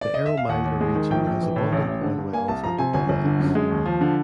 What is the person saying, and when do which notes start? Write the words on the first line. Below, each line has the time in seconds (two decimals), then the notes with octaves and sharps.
The Eromanga region has abundant oil wells and opal mines.
0.01 D5
0.14 D#5
0.26 E5
0.37 F5
0.49 D#2 F#5
0.64 D#2
0.81 G#3
0.95 D#3
1.10 A#1 G5
1.26 A#1
1.41 E3
1.56 A2
1.72 A1
1.87 A1
2.02 D3
2.17 G2
2.33 A#3 G#5
2.48 C2 A5
2.63 F3 A#5
2.78 C3 G#5
2.93 G1 G#5
3.09 G1
3.25 D3
3.40 F#2
3.55 G#3
3.70 D#2
3.86 F3
4.01 D3